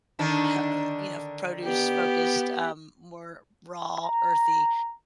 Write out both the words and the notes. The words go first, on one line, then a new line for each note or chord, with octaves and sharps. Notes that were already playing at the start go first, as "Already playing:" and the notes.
h uh you know, produce focused, um, more raw earthy
D3 D#3 D4
B3 G4
A#5